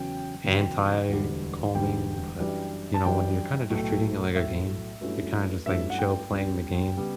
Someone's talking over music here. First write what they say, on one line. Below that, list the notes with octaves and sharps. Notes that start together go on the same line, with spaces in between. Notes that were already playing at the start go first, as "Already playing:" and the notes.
anti-calming, but, you know, when you're kinda just treating it like a game, you're kinda just, like, chill playing the game,
Already playing: E2 C#3 F#3 C#4 G5
E2 C#3 F#3 C#4
E1 D2 D3 G3
E1 D2 D3 G3 G5
F#2 E3 G3 D4
A5
F#2 E3 G3 D4 G5
B1 A2 F#3 A3
B1 A2 F#3 A3 E5
G2 F#3 A3 C#4 E4
G2 F#3 A3 C#4 E4 E5
F#5
G5
C#2 C#3 G3 B3
C#3 G3 B3